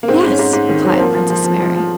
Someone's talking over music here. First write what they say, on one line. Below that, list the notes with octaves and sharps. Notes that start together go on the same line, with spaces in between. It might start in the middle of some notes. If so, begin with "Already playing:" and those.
"Yes," replied Princess Mary.
A#3
G#2 C4
G#2
C#4
G#2
G#2
D#3
F#3
C4
F3 A#3
F3
F3
F3
F3
F3